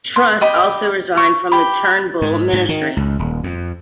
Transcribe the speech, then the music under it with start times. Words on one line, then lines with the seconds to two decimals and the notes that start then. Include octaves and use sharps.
Truss also resigned from the Turnbull Ministry.
0.16 C6
0.41 G4 D#5 B5
1.17 C#6
1.52 G4 B5
2.22 G#2
2.53 G#2
2.69 D#3
2.97 C#2
3.19 D#1
3.44 F2